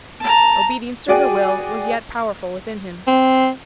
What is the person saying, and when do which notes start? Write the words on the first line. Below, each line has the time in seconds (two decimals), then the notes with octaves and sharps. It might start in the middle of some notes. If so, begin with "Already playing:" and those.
Obedience to her will was yet powerful within him.
0.20 A5 A#5
1.08 F#4 G#4 D5 G5 G#5
3.07 C4